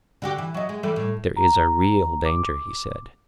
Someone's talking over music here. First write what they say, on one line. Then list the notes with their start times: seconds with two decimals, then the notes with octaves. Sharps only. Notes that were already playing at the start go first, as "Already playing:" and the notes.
There is a real danger, he said.
0.22 D3 F#4 G4
0.38 E3
0.54 F#3 D#5
0.69 G#3
0.83 E3 G3 A4
0.96 A2
1.37 A#5
2.25 D6